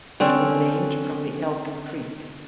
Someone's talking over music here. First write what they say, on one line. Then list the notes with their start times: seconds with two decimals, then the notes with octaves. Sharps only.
It was named from the Elk Creek.
0.20 D3 C4 C#4